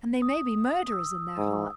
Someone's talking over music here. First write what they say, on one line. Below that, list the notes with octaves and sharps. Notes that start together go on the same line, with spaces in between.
And they may be murderers in their hearts.
D#6
D#6 E6
G#2